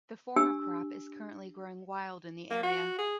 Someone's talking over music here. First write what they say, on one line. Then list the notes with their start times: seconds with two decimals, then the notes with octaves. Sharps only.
The former crop is currently growing wild in the area.
0.36 D4 G4 G#5 E6
2.51 A#3
2.63 F#4
2.98 G#4